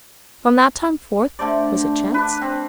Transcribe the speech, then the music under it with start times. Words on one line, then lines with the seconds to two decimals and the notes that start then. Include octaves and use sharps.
From that time forth, was it chance?
1.39 D3 A3 C5 D5
2.14 D4 B4
2.41 C4